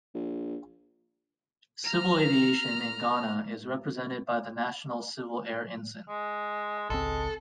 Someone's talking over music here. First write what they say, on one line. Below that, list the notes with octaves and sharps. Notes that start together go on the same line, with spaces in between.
Civil aviation in Ghana is represented by the national civil air ensign.
A#1
A#5 F6
G#3
G#1 C#2 G#3 C4 A4